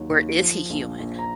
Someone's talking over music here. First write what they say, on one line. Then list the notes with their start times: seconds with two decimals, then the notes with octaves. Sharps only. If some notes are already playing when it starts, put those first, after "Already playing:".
Or is he human?
Already playing: D#2 F#3
0.10 D#2
0.40 F3
0.70 A#1
1.00 A#1
1.19 A#5